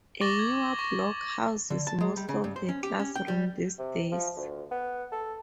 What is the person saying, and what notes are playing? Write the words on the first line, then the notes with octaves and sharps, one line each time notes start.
A Newer block houses most of the class rooms these days.
C#6 D6 A6 A#6 F#7 G7
G#6
C#6 A#6
D3
A5
G#3
G3
C#3
G2
C5
C#4
G4
C#4
G5
G3
C3
F3
D2
B3
A4